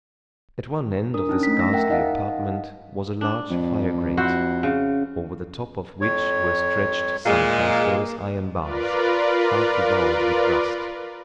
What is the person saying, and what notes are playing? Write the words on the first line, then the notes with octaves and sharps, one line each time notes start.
At one end of this ghastly apartment was a large fire-grate, over the top of which were stretched some transverse iron bars, half devoured with rust.
D4 A#4 D#6
C#4 D#4
A3 B6
E6 A#6
A#4 E5 F#5 G5
D#4 D#5 F5 F#5
D4
F2
E4 F#4 C5
C#3
F2 C#5
A#2 G#3 A#3
F4 A#4 B4 D5